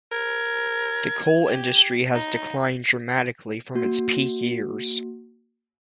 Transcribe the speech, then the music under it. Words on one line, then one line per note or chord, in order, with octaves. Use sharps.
The coal industry has declined dramatically from its peak years.
A#4 G#6
G4
D#4
A#3 F#4